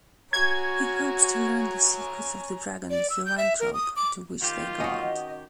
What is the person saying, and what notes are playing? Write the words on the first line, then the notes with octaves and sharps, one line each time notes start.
He hopes to learn the secrets of the dragon zoanthrope to which they guard.
F#4 C#5 G#5 A#5 G#6
D5
E6
G6
E5
A#4
D#6
D6
D#3 F4 G4
C#4 F#4 D#5